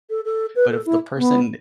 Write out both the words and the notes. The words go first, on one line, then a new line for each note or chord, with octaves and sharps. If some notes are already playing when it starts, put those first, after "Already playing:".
but if the person,
A4
A4
B4
A4
E4
B3